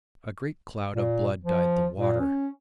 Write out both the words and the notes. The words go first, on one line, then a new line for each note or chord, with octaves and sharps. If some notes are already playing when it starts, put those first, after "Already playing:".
A great cloud of blood dyed the water.
A#2
F3
A#2
C#4